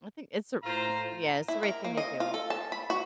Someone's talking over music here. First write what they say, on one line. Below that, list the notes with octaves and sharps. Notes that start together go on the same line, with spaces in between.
I think it's a r m Yeah, it's the right thing to do.
A2 F4 C5 A#5
E4
A#4
A#3
D#5
F4
A4
A5
B5
F#4